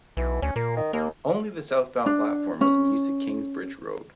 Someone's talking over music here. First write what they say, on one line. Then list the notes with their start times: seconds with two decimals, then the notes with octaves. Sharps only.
Only the southbound platform was in use at Kingsbridge Road.
0.17 B1 E3
0.42 D2 C#4
0.56 A#2 A#3
0.77 D#3
0.93 D#2 A#3
2.06 D4
2.61 C#4